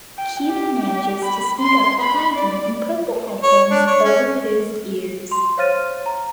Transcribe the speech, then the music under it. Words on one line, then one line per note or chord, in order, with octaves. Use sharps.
Keith manages to sneak up behind him and put the headphones over his ears.
G5
G4
G4
B5
C6
B5
D5
C#5
D4
C#5
C#4
C6
C5 C#5 F5 F6 A6 D#7
A#5